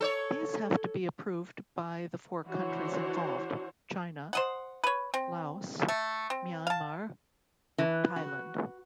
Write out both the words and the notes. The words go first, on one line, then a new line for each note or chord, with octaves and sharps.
These have to be approved by the four countries involved, China, Laos, Myanmar, Thailand.
A4 C5 C#5
E3 D4 F#4 C5 C#5
C5 D#5 F#5
B4 C#5
C4
A3
C4
F5 A5
E3
F#4